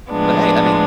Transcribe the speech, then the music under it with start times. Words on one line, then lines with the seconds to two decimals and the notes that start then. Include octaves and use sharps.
but, hey, I mean,
0.10 A2 F3 G#3 B3 D4